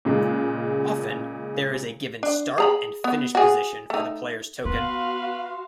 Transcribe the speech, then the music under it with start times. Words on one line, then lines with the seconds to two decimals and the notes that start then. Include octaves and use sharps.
Often there is a given start and finish position for the player's token.
0.05 A#2 C#3 G#3
2.23 D4
2.58 G#4 A#5 B5
3.04 B3
3.35 F#4 G#4
3.90 A3 D#4
4.65 B3 F#4 B4 F5 C6